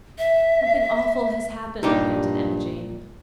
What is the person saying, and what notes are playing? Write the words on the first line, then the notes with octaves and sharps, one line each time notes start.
"Something awful has happened," panted Emma Jane.
E5
G2 A#2 D#4 G4